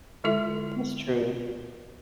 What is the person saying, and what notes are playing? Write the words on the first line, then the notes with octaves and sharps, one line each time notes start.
That's true.
D3 G#3 E4 F4 A4 E5